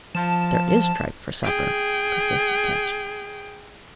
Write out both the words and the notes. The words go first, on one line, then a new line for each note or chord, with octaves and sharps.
"There is tripe for supper," persisted Ketch.
F3 A5
G#4 G5